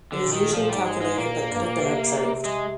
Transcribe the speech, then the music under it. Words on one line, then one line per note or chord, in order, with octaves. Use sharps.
It is usually calculated but could have been observed.
D3
A#2
D#3
A#2 F3
G3
G#2
G#3
G#2 G#3
A#2 A#3
A#2
G2
A#2
C3
G#3